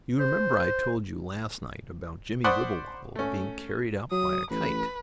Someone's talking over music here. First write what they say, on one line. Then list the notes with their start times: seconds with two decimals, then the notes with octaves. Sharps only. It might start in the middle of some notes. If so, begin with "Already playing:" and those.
You remember I told you last night about Jimmie Wibblewobble being carried up by a kite.
0.20 C5
2.44 C5 D5 F#5 B5 C#6 D#6
3.15 A3 C#4
4.11 F#3 D#6
4.51 A1 B4